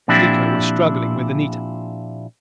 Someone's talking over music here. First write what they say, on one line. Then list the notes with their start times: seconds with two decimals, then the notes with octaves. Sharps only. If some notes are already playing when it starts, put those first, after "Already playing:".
Miko was struggling with Anita.
0.08 A#2 F3 C4 D4 E4 G4